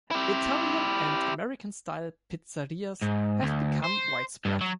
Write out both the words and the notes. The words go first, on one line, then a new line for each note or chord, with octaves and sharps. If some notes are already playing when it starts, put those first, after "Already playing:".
Italian and American style pizzerias have become widespread.
E4 G4
G#2
D2
C5
G2
F#3